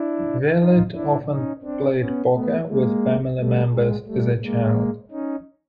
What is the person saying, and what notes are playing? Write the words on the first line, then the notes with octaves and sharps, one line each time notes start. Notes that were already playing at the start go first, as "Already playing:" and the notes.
Violette often played poker with family members as a child.
Already playing: D4 E4
D#4 F4
D4 E4
C#4 D#4
C4 D4
B3 C#4
A3 B3
G#3 A#3
G3 A3
G#3
G3 A3
G#3 A#3
C#4 D#4